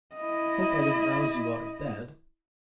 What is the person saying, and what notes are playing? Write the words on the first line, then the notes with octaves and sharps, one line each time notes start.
"Hope I didn't rouse you out of bed."
E4 D#5